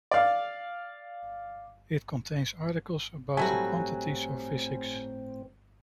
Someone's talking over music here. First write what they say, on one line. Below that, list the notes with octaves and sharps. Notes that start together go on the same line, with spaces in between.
It contains articles about the quantities of physics.
D5 F5
A2 F#3 G3 A3 C4 E4 F#4 G#5